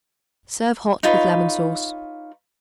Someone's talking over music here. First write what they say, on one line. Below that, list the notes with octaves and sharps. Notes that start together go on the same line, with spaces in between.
Serve hot with lemon sauce.
D#4 F4 B4 C#5